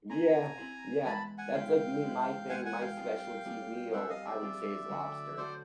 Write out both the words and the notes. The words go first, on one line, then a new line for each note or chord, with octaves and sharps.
Yeah, yeah. That's like me, my thing- my specialty meal- I would say, is lobster.
C4 E4 G#4 C5 G#5 A#5
C4 E4 G#4 C5
E3 G#3 B3 E4 A5 B5
F#5 G#5
E3 G#3 B3 E4 F5 G5
E3 G#3 B3 E4
E3 G#3 B3 E4 F#5 G#5
F#5 G#5
F5 G5
G3 C4 F4 G#4
G3 C4 F4 G#4
G3 C4 F4 G#4 E5 F#5
D#5 F5
D5 E5
G3 C4 F4 G#4
D3 F#3 A3 D4 F#4
D3 F#3 A3 D4 F#4 C5 D5